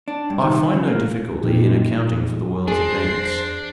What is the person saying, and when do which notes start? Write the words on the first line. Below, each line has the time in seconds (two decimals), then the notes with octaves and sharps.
I find no difficulty in accounting for the world's advance.
0.08 D4
0.30 G2
0.42 D#3
0.74 C#3
0.87 A#3
1.43 A#2 F3 D#4 G4
2.68 F2 D4 G#4 C5 A#6 C7